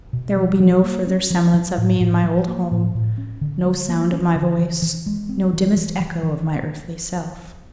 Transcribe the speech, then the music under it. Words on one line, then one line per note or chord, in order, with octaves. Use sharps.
There will be no further semblance of me in my old home, no sound of my voice, no dimmest echo of my earthly self.
B2
F3
F3
A#3
C#4
F3
F3
A2
A2
F3
A#3
A2
A2
C#4
D3
G3
A#3
C#4
D3
E3
E3
G#3
C4
E3
E3
E3
E3